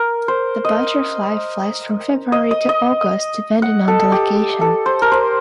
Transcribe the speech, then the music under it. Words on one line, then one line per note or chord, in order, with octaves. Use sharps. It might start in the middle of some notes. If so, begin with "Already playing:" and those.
The butterfly flies from February to August depending on the location.
Already playing: A#4
C5
D#5
D#5
D#5
D#5
F#5
A4
G4
A4
C5
A#4
C5